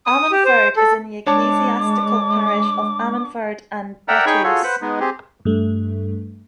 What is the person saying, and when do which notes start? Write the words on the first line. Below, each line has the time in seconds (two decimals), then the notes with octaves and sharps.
Ammanford is in the ecclesiastical parish of Ammanford and Betws.
0.06 D#6
0.32 G4
0.45 C5
0.77 A4
1.26 G#3 D4 C#5 A5 D6
4.08 A#4 D5 E5 F#5 G5 A#5
4.26 D#4 G#4 C#5 G5 B5 C#6
4.44 F4 F#4 G#4 A4 C#5
4.63 B4 C5 F#5 B5
4.82 G#3 B3 D#4
5.00 C4 G4 G#4
5.45 G2 A3